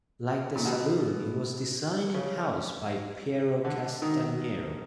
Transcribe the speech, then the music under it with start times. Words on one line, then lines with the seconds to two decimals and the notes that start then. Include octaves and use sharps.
Like the saloon it was designed in-house by Piero Castagnero.
0.56 A#2
0.65 B2
2.14 C#3
3.65 D3
4.02 D#3